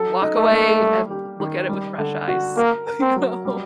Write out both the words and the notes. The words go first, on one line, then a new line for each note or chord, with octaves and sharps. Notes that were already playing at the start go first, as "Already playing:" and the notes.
walk away and look at it with fresh eyes, you know.
Already playing: F#3 A4
D#4
A3
A#3
G3
G4
D#3
G3
D3
F#4
A#3 A#4
A#4
C4
F#3
G3